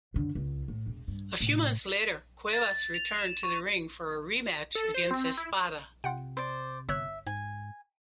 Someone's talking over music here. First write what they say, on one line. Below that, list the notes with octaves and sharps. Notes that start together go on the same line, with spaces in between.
A few months later, Cuevas returned to the ring for a rematch against Espada.
F#2 D3
C#2
A2
E1
G2
A2 C3
A6
F7
E7
C#6
A4
C5
C4
E4
C3 F4 F#5 G5
C5 D5
G1 C#5 E5 F#6
G#2 G#5